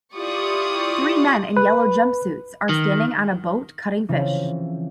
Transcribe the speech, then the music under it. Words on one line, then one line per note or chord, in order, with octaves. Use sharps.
Three men in yellow jumpsuits are standing on a boat cutting fish.
E4 F4 G4 D5 C#6 D#6
B4
D#3
C#3 E3 F3 C4